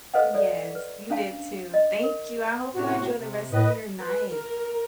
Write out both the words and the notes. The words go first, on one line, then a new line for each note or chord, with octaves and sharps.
Yes, you did too. Thank you, I hope you enjoy the rest of your night.
A4 B4 C5 D#5 F5 F#5
A4 C#5 D5
B4
C#4 D4 F5 A5
D#5
A#4
A2 C3 F#4
C3
A2 B4 D#5
B4
A#4